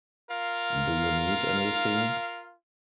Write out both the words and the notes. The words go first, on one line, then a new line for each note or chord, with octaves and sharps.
Do you need anything?
F4 A#4 F5